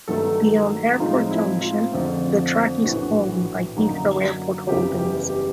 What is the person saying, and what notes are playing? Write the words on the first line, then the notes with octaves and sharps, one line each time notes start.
Beyond Airport Junction the track is owned by Heathrow Airport Holdings.
G2 D#3 F#3 A3 A4
A2 F3 G#3 C4 D#4 F4
E4
F4
F2 D3 F3 A3
A#1 A2 E3 F#4
F#2 D3 F#3 A#3 D#4
F#1 E2 C#3 E3 G3 G4
G4
G4